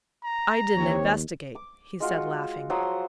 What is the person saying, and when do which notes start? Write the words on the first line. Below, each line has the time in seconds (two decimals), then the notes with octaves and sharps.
"I didn't investigate," he said, laughing.
0.24 A#5
0.76 D#2 C4 G4 C#5
1.55 D6
2.00 G#3 F4 F#4
2.70 F3 F#3 C6 D#6